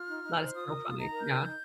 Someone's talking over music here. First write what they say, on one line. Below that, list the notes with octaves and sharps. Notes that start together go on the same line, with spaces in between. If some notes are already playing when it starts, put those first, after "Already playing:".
That is so funny, yeah.
Already playing: F4 F6
D#4
D#4
C5
F4 D#6
A#4
F4
D#4 A#5
A#4
G6
D#4
D#4